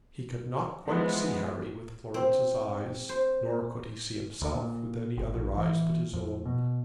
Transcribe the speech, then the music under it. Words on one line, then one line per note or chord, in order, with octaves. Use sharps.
He could not quite see Harry with Florence's eyes nor could he see himself with any other eyes but his own.
E3 F3 G#3 B3
C4
C5
D2
A#2
G1
A#1
E3
F2
B2